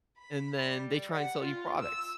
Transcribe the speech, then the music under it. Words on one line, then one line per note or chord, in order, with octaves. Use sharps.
and then they try and sell you products.
B5
G3
F#5
F4
E6